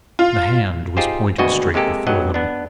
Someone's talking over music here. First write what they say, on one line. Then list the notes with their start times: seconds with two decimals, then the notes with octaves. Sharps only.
The hand was pointed straight before them.
0.19 F4
0.97 D#4 F4 G4 G#4 C5
1.38 G#1 D2 B2 F#4 D#5 G#5
1.74 C3 G#3 A#3 G4 A4
2.06 B1 G2 F#3 D#5 F#5
2.34 B3 D4